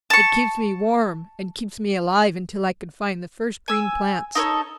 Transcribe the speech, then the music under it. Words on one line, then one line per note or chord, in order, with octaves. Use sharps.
It keeps me warm and keeps me alive until I can find the first green plants.
A5 C#6
G#5 E6
D#4 A4 B4 C#5